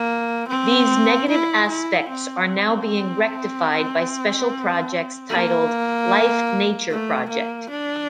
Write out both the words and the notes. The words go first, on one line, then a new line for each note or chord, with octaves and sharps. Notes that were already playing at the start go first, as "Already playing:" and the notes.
These negative aspects are now being rectified by special projects titled "Life-Nature Project".
Already playing: A#3
C4
E4
E4
C4
A#3
A3
A#3
D4